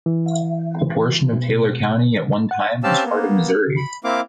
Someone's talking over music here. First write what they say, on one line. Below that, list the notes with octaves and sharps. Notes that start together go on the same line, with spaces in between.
A portion of Taylor County at one time was part of Missouri.
E3
B2
F#5
C4 C#4 G4 F5 A5 E6
A#3 B3
B5
A#3 C4 E4 F5 D6